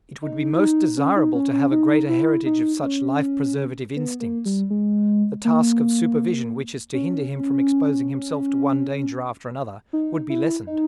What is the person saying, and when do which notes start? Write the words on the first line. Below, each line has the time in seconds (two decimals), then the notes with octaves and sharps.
It would be most desirable to have a greater heritage of such life-preservative instincts; the task of supervision, which is to hinder him from exposing himself to one danger after another, would be lessened.
0.22 D#4
0.55 E4
0.60 D#4
0.97 C#4
1.16 D#4
1.35 C#4
1.53 C#4
1.72 D#4
2.09 E4
2.46 D#4
2.83 C#4
3.96 B3
4.21 A#3
4.45 G3
4.70 G#3
5.45 A#3
6.94 C#4
9.93 D#4
10.30 E4
10.67 D#4